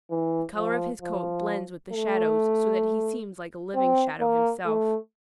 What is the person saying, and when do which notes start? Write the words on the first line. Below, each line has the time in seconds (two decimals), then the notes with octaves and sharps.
The color of his coat blends with the shadows so that he seems like a living shadow himself.
0.10 E3
0.56 F3
1.02 F3
1.93 A3
3.75 C4
4.20 A#3
4.65 A3